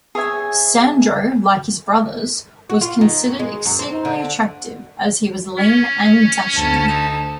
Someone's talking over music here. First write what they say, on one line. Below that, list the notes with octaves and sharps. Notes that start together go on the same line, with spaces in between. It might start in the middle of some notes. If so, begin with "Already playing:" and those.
Sandro, like his brothers, was considered exceedingly attractive, as he was lean and dashing.
G#4 C#5 E5 G#5
F#4
F4
D#3
F#2
G#3
F#2
C4
D3
C#4
D2 A5
D#4